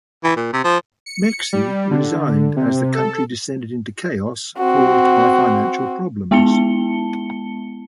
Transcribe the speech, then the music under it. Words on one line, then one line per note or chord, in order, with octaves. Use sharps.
Meksi resigned as the country descended into chaos caused by financial problems.
E3
A#2
C3
F3
C#7
G3
D3
C3
A4
C4 F#4
G#3 B3 E4 A5 C#7 G7